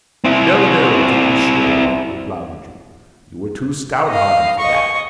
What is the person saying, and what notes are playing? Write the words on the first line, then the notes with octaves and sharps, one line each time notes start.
'No, no, to be sure,' replied the Jew; 'you were too stout-hearted for that.
C4 E4
D#5 F5
D#5 C#6